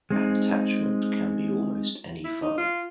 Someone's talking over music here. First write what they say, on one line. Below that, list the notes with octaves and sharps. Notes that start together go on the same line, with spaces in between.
An attachment can be almost any file.
G#3 C4 D#4
E4
D#4
F4